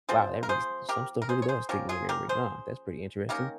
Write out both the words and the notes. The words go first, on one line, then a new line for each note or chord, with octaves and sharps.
Wow, that really s some stuff really does stick in your memory, huh? That's pretty interesting.
F3 C4 G#4 C5
A#4
G#4 C5
G4 A#4
A#4
G#4 C5
C#5
G#4 C5
F3 A#3 C#4 G4 A#4
F4 G#4
G4 A#4
G#4 C5
D#3 A#3 C#4 G4 A#4